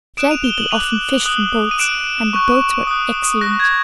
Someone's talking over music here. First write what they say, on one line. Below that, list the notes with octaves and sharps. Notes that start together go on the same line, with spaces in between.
The Shell People often fished from boats, and the boats were excellent.
D#6 F#6 D7 E7
D#7 F7
F7 G7
E7 F#7
D6 F#6 D#7 F7
D#6 F#6
D#7
D#6 F#6 D7 E7
C#6 F#6
D#6 F#6
D#6 F#6 A#6
G#6